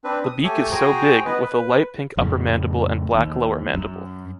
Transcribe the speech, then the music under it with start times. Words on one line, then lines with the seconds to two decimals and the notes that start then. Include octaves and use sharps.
The beak is so big with a light pink upper mandible and black lower mandible.
0.04 C4 D4 B4
0.24 D#6
0.44 A3 G4 A4 C#5 G#5
0.71 F#4 G#4 C5 G5 G#5 A#5
1.25 B3 B4 D#5
1.41 B4
2.17 F2 A2 C#3
3.14 D#2
3.74 F#2